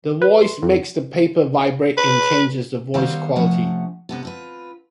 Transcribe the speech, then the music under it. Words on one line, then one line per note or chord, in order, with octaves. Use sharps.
The voice makes the paper vibrate and changes the voice quality.
B4
C6
F2
B4
D#3 G3 B3 A4 C5 F5
C3 F3 A3 C#4 F#5
C3 B3 A4
C4 F4 B4